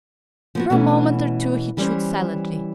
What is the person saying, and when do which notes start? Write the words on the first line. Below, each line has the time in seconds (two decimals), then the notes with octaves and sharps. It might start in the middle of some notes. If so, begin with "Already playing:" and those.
For a moment or two he chewed silently.
0.55 F3 B3 F#4
0.70 B2 E3 A3 C#4
1.77 E3 G3 C#4 C5